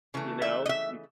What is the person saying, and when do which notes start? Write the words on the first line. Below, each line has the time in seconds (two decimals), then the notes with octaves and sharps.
you know, i
0.14 C#3 E3 A3
0.42 E5
0.66 D#5
0.69 E5